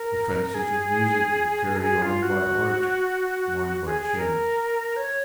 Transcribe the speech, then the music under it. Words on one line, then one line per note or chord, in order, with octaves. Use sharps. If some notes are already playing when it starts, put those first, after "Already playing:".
The fancies of music are carried on by art; mine by chance.
Already playing: A#4
G#4
A#4
G#4
F4
F#4
G#4
G#4
A#4
C#5